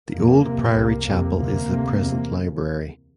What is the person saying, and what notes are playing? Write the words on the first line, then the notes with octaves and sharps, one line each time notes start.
The old priory chapel is the present library.
F2 C3 A#3
F2 C3
C2 C3
F2 C3
D2 C3 A#3
D2 C3
E2 C3